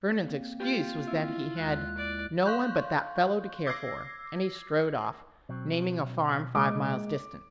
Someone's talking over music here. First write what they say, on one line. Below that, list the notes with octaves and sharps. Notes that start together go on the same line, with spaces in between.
Vernon's excuse was that he had "no one but that fellow to care for", and he strode off, naming a farm five miles distant.
A#3 C4
F4 G4
E4
D#2 G#3 F#6
D5
F5 C6 C#6 F#6 G6
D6 E6 G#6 A#6 C7
B2 F#3 C4
G#3 A#3 D#5 D6